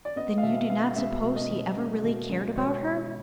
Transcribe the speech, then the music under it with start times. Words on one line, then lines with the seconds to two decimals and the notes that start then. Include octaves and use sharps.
"Then you do not suppose he ever really cared about her?"
0.05 D5
0.16 B3 D#5
0.38 F5
0.43 B2 E5
0.58 E5
0.70 B3 F5
0.96 G#3 E5
1.23 B2
1.36 D#5
1.49 B2
1.77 G#3
2.03 B2
2.30 G#3
2.56 B2 C#5